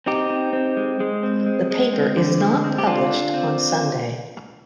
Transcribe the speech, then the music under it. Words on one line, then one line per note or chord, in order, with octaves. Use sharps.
The paper is not published on Sunday.
C4 D#4 G4
C4
C4
G#3
G#3
C4
G#3
G#3
C4
D3
G#3
C4
G4
D3 D4 F4
D3
C4